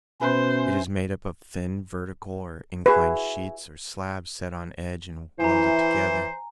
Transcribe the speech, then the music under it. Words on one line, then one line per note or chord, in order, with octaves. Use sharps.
It is made up of thin vertical or inclined sheets or slabs set on edge and welded together.
B2 C#4 B4 C5 E5 G#5
E4 F#4 G#4 B4
E3 E4 C5 G#5 A#5